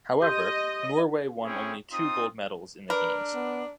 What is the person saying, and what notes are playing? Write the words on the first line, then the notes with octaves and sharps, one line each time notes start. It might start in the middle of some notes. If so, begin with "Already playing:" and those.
However, Norway won only two gold medals in the games.
G4 D#5 C6 G6
C4 C#4 E4 G#4 C#5 G5
C4 D#4 F4 C6 D#6
D4 A#4 B4
B3